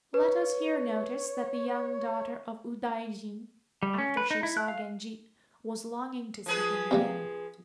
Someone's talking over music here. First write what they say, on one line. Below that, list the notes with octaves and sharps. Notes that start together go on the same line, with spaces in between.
Let us here notice that the young daughter of Udaijin, after she saw Genji, was longing to see him again.
B4 C#5
G3
C#4
B4
D#4
E4
F#6
F5
F3 G#4 B4
C3 G3 A#3